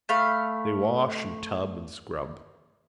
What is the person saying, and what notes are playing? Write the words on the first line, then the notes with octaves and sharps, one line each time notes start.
They wash and tub and scrub.
A3 F5 B5